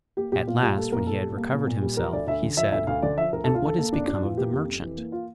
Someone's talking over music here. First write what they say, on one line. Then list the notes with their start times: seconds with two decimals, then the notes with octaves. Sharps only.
At last, when he had recovered himself, he said, "And what is become of the merchant?"
0.17 A#3 G4
0.32 A#2 G4
0.47 A#2 F4
0.62 G3 F4
0.77 A#3 A4
0.92 A#2 A#4
1.07 A#2 A4
1.23 G3
1.37 A#3
1.52 A#2
1.67 A#2
1.82 G3
1.97 F3 A#4
2.13 D2 D5
2.27 D2 E5
2.43 D3
2.57 F3 E5
2.72 D2 E5
2.87 D2 F5
3.02 D3 D5
3.17 F3 E5
3.33 D2 A#4
3.44 A4
3.47 D2
3.55 F4
3.62 D3 A4
3.78 A#3 A4
3.93 F2 D4
4.08 F2 D4
4.22 E3 F4
4.37 A#3 G4
4.52 F2 G4
4.68 F2
4.83 E3
4.97 A#3
5.12 F4